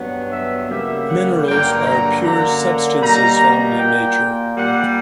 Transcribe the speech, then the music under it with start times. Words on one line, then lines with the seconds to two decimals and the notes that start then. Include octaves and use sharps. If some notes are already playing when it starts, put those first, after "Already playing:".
Minerals are pure substances found in nature.
Already playing: G2 F#3 B3
0.31 E5
0.69 C#3 G3 A#3 E5
1.08 F#5
1.47 G2 D3 F#3 A#3 G5
1.85 A#5
2.24 F#2 D3 A#3 A#5
3.02 B2 G3 A#3 A#5
3.79 A#2 A#3 G5
4.57 A#2 G3 A#3 F#5